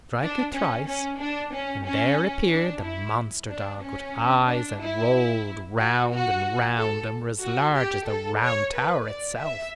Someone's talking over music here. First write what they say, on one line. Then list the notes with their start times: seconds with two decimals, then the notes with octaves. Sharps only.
Strike it thrice and there appeared the monster dog with eyes that rolled round and round and were as large as the Round Tower itself.
0.21 D4
0.54 C#4
0.86 C#4
1.20 D4
1.53 C#4
1.86 C#4
2.51 D4
2.84 E4
3.49 D4
3.82 C#4
4.48 D4
4.81 E4
5.80 F#4
6.12 F#4
6.77 A4
7.44 F#4
7.77 G4
8.09 A4
8.43 C#5
8.75 B4
9.07 D5
9.40 E5